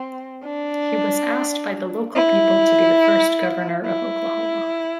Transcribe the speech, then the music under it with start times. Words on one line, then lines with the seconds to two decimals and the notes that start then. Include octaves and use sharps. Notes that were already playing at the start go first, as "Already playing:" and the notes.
He was asked by the local people to be the first Governor of Oklahoma.
Already playing: C4
0.44 D4
2.15 E4
3.86 E4